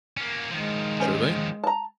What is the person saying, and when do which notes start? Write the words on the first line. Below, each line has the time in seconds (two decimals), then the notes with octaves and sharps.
Sure thing.
0.17 A#3 C#4
0.51 D#3 F3 G#3
1.00 C#4 C5 G#5
1.64 A5 A#5